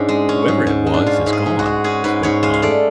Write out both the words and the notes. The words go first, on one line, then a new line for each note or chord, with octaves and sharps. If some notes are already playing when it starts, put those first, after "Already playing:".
"Whoever it was, is gone," spoke Tom.
Already playing: G#2 C#4 D4
G#3
C#4
G#2
G#2
G#3
D4
C#4 F4
G#2
G#4
G#2
F#4
G#3
C#4 G#4
G#2 B4
G#2 C#5
G#3 F5
F5
A3 D5